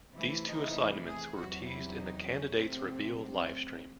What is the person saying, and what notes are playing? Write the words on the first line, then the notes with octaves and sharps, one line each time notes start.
These two assignments were teased in the Candidates Reveal Livestream.
C3 E3 A3 E4
D#4
G#4
E2 C3 F#3 F#4
E4
D#4
C#4
C3 F#3 A3 C4
C4